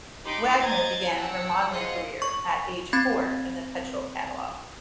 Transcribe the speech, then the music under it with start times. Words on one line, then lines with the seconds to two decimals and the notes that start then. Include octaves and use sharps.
Wagner began her modelling career at age four in the Petrol catalog.
0.24 D#4 G4 B5 C6 D6
0.60 C5 D#5 A#5 G#6 A6
1.16 C#5 F#5 G5 A5 E6
1.71 F4 G#4 C5 D#5 F#5 C6
2.22 C#6
2.93 C4 B5 G#6 A6 C7